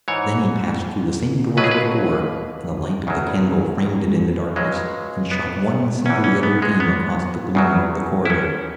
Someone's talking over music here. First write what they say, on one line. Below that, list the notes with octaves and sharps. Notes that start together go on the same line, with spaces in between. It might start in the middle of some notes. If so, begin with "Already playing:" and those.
Then he passed through the same door as before, and the light of the candle framed it in the darkness and shot one single yellow beam across the gloom of the corridor.
G#2 E3 C#5
C#2 B2 F#3 B4
G#4
B4
E2 C#3 F#3
C#2 C#3 F#3 G#3
B3
E2 E3 C#4
C#4
B3
G#3
B3
E2 C#3 F#3
E4
C#4